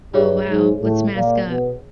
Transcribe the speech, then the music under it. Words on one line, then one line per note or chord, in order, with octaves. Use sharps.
Oh, wow. Let's mask up.
G2 G3 F4 G#4 C#5 E5
G#2 G#3
A2 A3
A#2 A#3
B2 B3